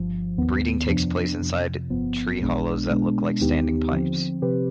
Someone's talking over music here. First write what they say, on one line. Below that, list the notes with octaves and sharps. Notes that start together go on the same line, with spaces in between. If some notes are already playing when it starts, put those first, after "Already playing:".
Breeding takes place inside tree hollows that look like standing pipes.
Already playing: G1 G2 F3
D#2 D#3 B3
F2 C3 F3 B3 D4
F2 C3 F3
G1 G2 F3 B3
B1 B2 G#3 B3 D4
B2 G#3 B3 D4
D#2 D#3 B3 D#4 G4
D3 F3 C4
C3 F3 C4 G4 B4